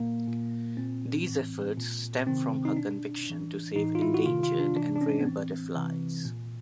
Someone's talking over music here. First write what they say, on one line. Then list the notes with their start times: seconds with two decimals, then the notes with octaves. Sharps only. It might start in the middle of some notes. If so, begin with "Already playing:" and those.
These efforts stem from her conviction to save endangered and rare butterflies.
Already playing: A#2 A#3
0.27 A#2
0.77 A#2 C4
1.27 A2 E3
1.77 A#2
2.26 C3 D#3 C4
2.65 D#4
2.76 B2 D4
3.27 A2 E3
3.76 A2 E3 D#4
3.95 F4
4.02 E4
4.14 F#4
4.26 C3 D#3 F4
4.43 F4
4.60 D4
4.75 C3 E3 D4
4.96 D4
5.01 C#4
5.21 B3
5.26 A2 E3 C4
5.76 C3 E3
6.25 A#2